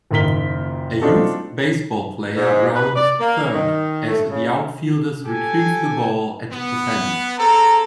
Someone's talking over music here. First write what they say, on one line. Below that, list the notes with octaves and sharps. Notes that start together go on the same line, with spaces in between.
A youth baseball player rounds third as the outfielders retrieve the ball at the fence.
F#1 A#2 D#3 A#4 B6 G7
C4 D4 D#4 F4 F#4 A4
G#2
B4
D5
A#3
D#3
A3
C#3
G4 A4 G#5
B3
C4 G#4 A4 A#5